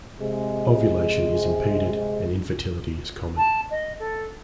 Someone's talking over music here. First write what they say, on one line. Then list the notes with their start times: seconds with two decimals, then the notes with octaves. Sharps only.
Ovulation is impeded, and infertility is common.
0.20 C3 G#3
3.37 A5
3.70 D#5
3.99 A4